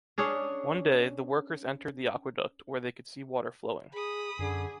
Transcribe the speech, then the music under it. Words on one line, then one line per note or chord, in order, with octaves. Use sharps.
One day, the workers entered the aqueduct, where they could see water flowing.
C#4 D4 G#4 C#5
G#4 B5 D#6
F#2 D3 G#4